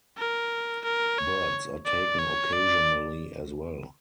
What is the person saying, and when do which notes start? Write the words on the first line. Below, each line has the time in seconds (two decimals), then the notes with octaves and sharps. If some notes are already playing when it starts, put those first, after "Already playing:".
Birds are taken occasionally, as well.
0.18 A#4
0.85 A#4
1.19 C#5
1.86 D5
2.19 C#5
2.53 D5